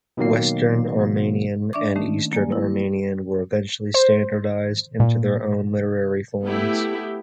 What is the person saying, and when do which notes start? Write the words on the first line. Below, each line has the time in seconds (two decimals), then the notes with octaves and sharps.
Western Armenian and Eastern Armenian were eventually standardized into their own literary forms.
0.17 B2 D#3 F#3 A#3 C7
1.73 D4 D5 E5 C#6 D6
1.96 D#3 A3 A#3 C#4 D#4
2.32 F#3 A#3 D5 G#5
2.52 E4
3.94 C5
5.00 A#2
6.44 A3 B3 E4 G4